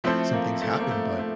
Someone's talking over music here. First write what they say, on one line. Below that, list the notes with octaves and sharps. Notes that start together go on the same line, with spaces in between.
some things happen, but,
F3 A3 C4 E4 A4 C5
A#3
A3
A#3
A3
A3